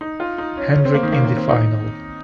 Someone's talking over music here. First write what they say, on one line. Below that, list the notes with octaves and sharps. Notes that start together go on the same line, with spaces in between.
Hendrick in the final.
D#4
F4
D#4
C#4
C#4
C4
A#3
D#3
A#3
A#3
C4
D#4